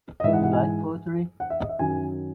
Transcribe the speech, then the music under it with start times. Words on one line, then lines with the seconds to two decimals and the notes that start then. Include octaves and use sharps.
You like poetry?
0.20 D#5
0.24 G#2 E5
0.27 E3
0.33 F#5
0.43 F#5
0.53 G#5
1.40 F#5
1.50 E5
1.60 D#5
1.69 E5
1.79 F#2 D#3 F#3 G#5